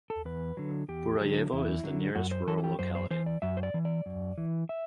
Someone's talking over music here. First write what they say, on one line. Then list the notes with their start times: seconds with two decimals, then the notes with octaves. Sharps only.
Burayevo is the nearest rural locality.
0.10 A4
0.25 E2 B4
0.57 D3 F#3
0.88 E2 G4
1.21 D3 F#3
1.52 E2 E4
1.84 D3 F#3
2.15 F#2 F#4
2.31 C5
2.47 E3 A4
2.58 A4
2.64 G4
2.79 F#2 C5
2.95 C5
3.11 E3 C5
3.26 D5
3.42 F#2 E5
3.57 C5
3.63 D5
3.74 E3
3.85 D5
4.06 F#2
4.38 E3
4.69 E5